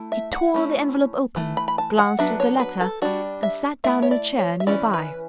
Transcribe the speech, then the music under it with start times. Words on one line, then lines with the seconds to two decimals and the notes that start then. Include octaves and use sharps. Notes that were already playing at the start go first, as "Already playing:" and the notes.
He tore the envelope open, glanced at the letter, and sat down in a chair near by.
Already playing: A3 E4
0.12 E5
0.33 F#5
0.54 A3 C#4 E4
1.36 E3 A3
1.57 B5
1.68 B5
1.78 A5
1.99 F#5
2.19 F#3 B3 D4 E5
2.40 C#5
2.60 B4
2.81 A4
3.02 G3 D4 F#4
3.43 E5
3.84 A3 E4 E5
4.02 C#5
4.11 D5
4.39 C#5
4.60 E5
4.67 E3 A3 C#4 E4 D5
4.94 B4